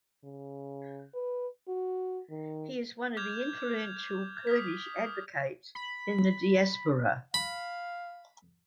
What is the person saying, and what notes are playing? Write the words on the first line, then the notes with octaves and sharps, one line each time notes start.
He is one of the influential Kurdish advocates in the Diaspora.
C#3
B4
F#4
D#3
D6 F6 G6 G#6 F7
D#6 F6 B6
B5
F5 B5